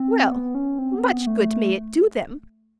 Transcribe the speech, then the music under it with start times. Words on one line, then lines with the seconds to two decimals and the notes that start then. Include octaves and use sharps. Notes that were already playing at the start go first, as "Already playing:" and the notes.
Well, much good may it do them!
Already playing: C4
0.31 B3
0.55 C#4
0.79 C4
0.94 B3
1.04 C4
1.10 B3
1.27 A3